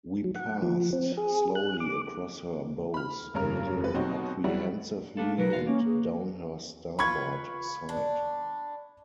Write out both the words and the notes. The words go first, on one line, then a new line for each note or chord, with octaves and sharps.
We passed slowly across her bows, a little apprehensively, and down her starboard side.
F#3
F#5
F3
C4
G#4
F#6
D6
B5 F6
F1 G2 C#3 A#4 F6
F1 B4
B2 F#3 C4 D#4 F#4
F#3 G3 B3 E4 F#4
A3 D4 A4 F5
B1 F#3 A#4 B4
F#4 F5
A#3 C#4
G#4
F4 B4 B5 C#6 G#6
D4